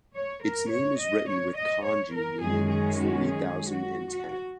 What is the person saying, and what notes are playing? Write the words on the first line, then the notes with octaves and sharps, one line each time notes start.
Its name is written with kanji meaning "forty thousand and ten".
C#5
A#4
C#5
D#5
C#5
D#5
C#5
A#4
F#2 D#3 G#3 C#4 G#4
G#4
F#4
G#4
F#4
F#4